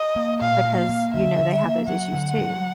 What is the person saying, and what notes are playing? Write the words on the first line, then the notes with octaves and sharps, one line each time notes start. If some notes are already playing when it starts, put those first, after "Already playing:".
because you know they have those issues too.
Already playing: D#5
A#3
A#2 F5
A#3
F5
A#3
D3 E5
D3
A#3
F#3 F#5
D3
F#3